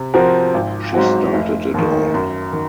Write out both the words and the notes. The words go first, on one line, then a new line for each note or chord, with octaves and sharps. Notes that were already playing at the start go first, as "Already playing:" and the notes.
She started it all.
Already playing: C3
F3 C4 F#4 A#4
G#1
G#2 F#3 C4 F#4
F1
D#2 D#3
F#2
D#3